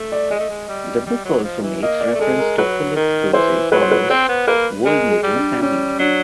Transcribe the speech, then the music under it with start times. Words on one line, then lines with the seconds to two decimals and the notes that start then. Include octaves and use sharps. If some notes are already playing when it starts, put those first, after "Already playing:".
The book also makes reference to Philip Jose Farmer’s Wold Newton family.
Already playing: A3
0.12 D5
0.30 G#3 D#5
0.40 A3
0.50 G#3
0.69 G3
1.06 G3
1.25 F#3
1.44 F3
1.63 E3
1.82 A#3 D#5
2.01 D5
2.15 A3
2.19 G#3 A4
2.39 A#4
2.58 F#3 B4
2.96 D#3 A#4
3.33 E3 C5
3.72 F#3 B4
3.82 C5
3.91 B4
4.10 C4 C5
4.29 B3
4.47 A#3 B4
4.85 G#3 A#4
5.10 G#4
5.23 G3
5.36 D4
5.61 G3 C#4
5.99 F#3 D4